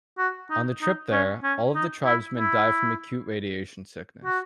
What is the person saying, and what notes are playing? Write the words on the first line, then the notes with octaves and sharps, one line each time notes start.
On the trip there, all of the tribesmen die from acute radiation sickness.
F#4
D#4
D#4
C#4
C#4
D#4
E4
E4
F#4